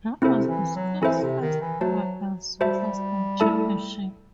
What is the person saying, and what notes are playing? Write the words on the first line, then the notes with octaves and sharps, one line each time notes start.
That was the school's first ever girls' soccer State Championship.
C3 C4 E4 A4 C5 E5
E3
F#3
E3 C4 E4 A4 C5 E5
C3
D#3
E3
F#3 F#4 C5 E5 A5
G3 F#4 C5 E5 A5
A3 E4 A4 E5 A5